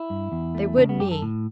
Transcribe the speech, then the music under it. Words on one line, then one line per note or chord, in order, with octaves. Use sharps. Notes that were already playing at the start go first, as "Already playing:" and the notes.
They would me.
Already playing: E4
G2
E2
A3
C#3 D4
B3
F#2 G4
A4
A2